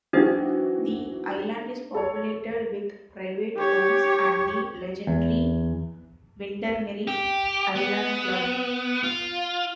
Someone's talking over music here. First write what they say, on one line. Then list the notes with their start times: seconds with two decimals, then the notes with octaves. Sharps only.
The island is populated with private homes and the legendary Windermere Island Club.
0.13 E3 F#3 D4 D#4 F#4 C5
1.94 A4 C#5
3.57 G4 C#5
5.07 E2
7.08 G4
7.75 B3
9.03 F4